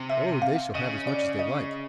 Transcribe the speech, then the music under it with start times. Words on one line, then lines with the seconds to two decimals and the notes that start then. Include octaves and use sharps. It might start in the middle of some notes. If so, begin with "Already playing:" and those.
"Oh! they shall have as much as they like."
Already playing: C3
0.10 E5
0.42 F5
0.74 C#3 D#5
1.07 D5
1.39 D#5